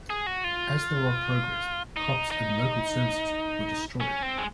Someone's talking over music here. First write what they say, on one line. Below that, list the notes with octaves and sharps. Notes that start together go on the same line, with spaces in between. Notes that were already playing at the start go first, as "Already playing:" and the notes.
As the war progressed, crops and local services were destroyed.
G#4
F#4
F4
D#4
D#4
C#4
C4
G#3